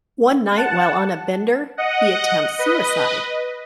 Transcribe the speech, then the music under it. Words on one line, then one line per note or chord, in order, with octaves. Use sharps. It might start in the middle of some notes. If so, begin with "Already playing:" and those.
One night while on a bender, he attempts suicide.
F#5 A5
D#5 F#5
B4 D#5